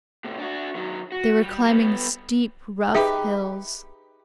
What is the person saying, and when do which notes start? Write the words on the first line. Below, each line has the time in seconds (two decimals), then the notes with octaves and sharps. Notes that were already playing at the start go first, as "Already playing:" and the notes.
They were climbing steep, rough hills.
0.24 A2 C3
0.38 D4 F#4
0.75 D#3 F#3
1.12 F#4
1.42 G3
1.65 G3 B3
2.95 D#4 G4 G#4 B4 E5